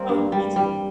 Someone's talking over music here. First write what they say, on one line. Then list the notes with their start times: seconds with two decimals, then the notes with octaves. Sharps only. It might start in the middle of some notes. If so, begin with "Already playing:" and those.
Oh, me too.
Already playing: G3 A#3 C4
0.09 G2
0.32 G3
0.56 G3